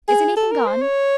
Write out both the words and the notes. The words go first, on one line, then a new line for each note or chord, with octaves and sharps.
"Is anything gone?"
G#4
A4
A#4
C5
C#5